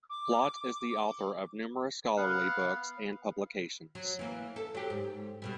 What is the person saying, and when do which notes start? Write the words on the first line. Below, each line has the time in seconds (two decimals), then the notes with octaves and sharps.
Plott is the author of numerous scholarly books and publications.
0.10 D6
2.17 B3 F5 F#5
3.95 F#3
4.19 E3 A#3
4.56 A4
4.75 F#3 G4
4.90 G#2
5.42 G2 B2 G3